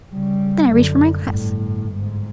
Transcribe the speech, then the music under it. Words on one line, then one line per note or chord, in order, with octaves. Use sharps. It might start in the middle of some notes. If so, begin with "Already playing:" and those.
Then I reached for my glass.
C#3 G3
F#2 D3
G1 A2
G#2